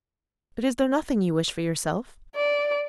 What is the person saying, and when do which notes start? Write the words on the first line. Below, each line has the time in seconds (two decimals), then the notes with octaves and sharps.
But is there nothing you wish for yourself?'
2.35 D5